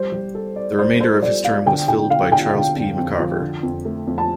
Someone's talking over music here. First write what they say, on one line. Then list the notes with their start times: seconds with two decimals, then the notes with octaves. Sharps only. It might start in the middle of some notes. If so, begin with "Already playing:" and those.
The remainder of his term was filled by Charles P. McCarver.
Already playing: G3 C5
0.12 G3
0.35 A4
0.56 D5
0.79 C5 D5
1.00 A4 C5
1.22 G3 D5
1.44 D5 F5
1.66 D3 G5
1.88 D3 G5
2.10 D3 F5
2.31 D3 G5
2.54 D3
2.76 F2
2.98 F2
3.19 F3
3.41 D3
3.63 F2
3.85 A3
4.07 F2
4.18 A5